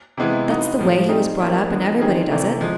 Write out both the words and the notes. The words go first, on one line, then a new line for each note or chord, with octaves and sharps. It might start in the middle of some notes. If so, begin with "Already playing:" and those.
That's the way he was brought up, and everybody does it.
C3 E3 G#3 B3 E4
B3 D#4 F#4
A2 F3 A3
G3 C4 D#4 G#4
G3 A#3 C#4 E4
D3 F3 G#3 B3
D#3 G3 C4 D#4 G#4
C3 E3 A3 D4
F3 G#3